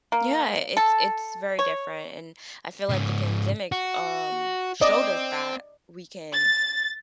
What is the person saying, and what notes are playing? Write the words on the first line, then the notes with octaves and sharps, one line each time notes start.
Yeah, i it's it's very different, and I feel like the pandemic, um, showed us that we can,
A#3
A4
C#5
G#2 C#3
F#4
C4 D5 D#5
A6